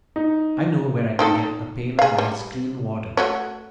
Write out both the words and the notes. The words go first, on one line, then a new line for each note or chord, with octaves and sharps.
"I know where I can get a pail of nice clean water."
D#4
C4 D#4 A4
G#4 F5
G3
A3 F#4 C#5